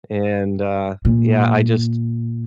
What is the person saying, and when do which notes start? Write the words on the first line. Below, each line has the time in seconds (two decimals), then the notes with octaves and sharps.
and uh, yeah, I just
1.05 A#2